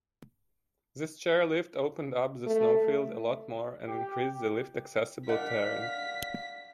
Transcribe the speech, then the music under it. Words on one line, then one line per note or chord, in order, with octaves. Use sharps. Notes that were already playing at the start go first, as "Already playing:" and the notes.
This chairlift opened up the snowfield a lot more and increased the lift-accessible terrain.
A3
G4
D4 A#4 D#5 F5 F#5 B6